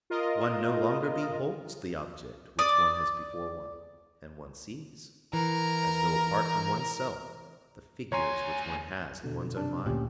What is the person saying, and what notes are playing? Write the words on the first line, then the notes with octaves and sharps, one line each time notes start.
One no longer beholds the object which one has before one, and one sees, as though apart from one's self, the figures which one has in one's own mind.
F4 A#4 D#5
D5 D#6
E3 A#4
D2 C#5 G#5 A#5 C6
B2 D3
C3 D4
D2 A#2 C#4 G4